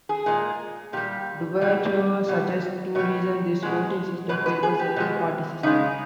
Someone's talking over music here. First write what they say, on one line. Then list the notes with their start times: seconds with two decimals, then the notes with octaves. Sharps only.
Duverger suggests two reasons this voting system favors a two-party system.
0.09 G#4
0.26 A#2 G#3
0.93 A#2 G3 G4
1.61 B2 G3
2.28 B2 G3
2.95 B2 G3 C#5
3.63 B2 G#3
4.29 B2 G#3 B4
4.46 B4
4.63 G#4
4.79 G4
4.96 B2 G#3
5.63 C#3 G#3 D#4